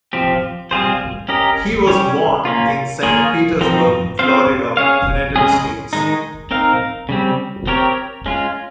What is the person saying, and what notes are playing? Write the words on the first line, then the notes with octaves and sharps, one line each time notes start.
He was born in Saint Petersburg, Florida, United States.
F3 C4 G4
G3 C4 F4 G#4 C5
C#4 G4 A#4 D#5
G3 C#4 G4 C#5
A#3 C#4 F4
A#3 F4 G#4 C#5
F3 C4 D#4
C4 F4 C5 F5
C#4 G#4 C#5 F5
C#3 G#3 C#4 G#4
D#3 G#3 D#4
C4 D#4 A#4 F5
C#3 G3 C4
C4 G4 A#4 C#5
G#3 C#4 F4